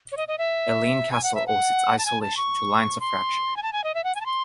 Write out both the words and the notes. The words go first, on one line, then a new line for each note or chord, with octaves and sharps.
Elaine Castle owes its isolation to lines of fracture.
C#5
D#5
D#5
E5
G#5
F#5
E5
F#5
A5
G#5
A5
C#6
C6
G#5
A5
G#5
D#5
E5
F#5
G#5
A5
C6